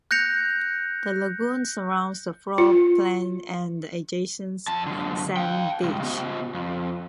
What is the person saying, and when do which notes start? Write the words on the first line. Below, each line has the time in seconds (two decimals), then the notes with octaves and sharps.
The lagoon surrounds the floor plain and the adjacent sand beach.
0.11 F#6 G6 A#6 C#7 F7
2.58 F4
4.67 F2 A5
4.87 F#2 D3
5.36 F5 G5
5.83 C#2 G2
6.00 C#3 B3
6.54 F2